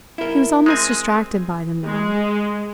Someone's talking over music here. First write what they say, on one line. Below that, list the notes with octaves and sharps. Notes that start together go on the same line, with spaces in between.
He was almost distracted by them now.
E4 A#4
G#3 C4 G#5
G#3